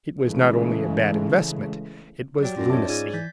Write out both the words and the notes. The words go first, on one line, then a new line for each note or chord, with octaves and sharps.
It was not only a bad investment, it was lunacy.
C#3 E3 G#3 A3
F#3 G4 D5 G5
F#2 F4 D5 A#6
C#5 D#5 E5 A5 D6
G#2 C#4 D#4 F4 D5 G#5 G#6
E3 G6 A6 B6